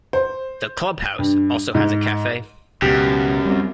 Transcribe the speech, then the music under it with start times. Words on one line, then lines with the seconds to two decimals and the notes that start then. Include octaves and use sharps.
The Clubhouse also has a cafe.
0.13 C5
1.19 G2
1.75 G#2
2.82 C#2 F#2 B2 G4
3.45 G3 C4